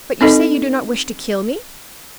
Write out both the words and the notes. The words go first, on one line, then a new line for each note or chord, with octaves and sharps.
"But you say you do not wish to kill me?"
C4 D#4 A4 D#5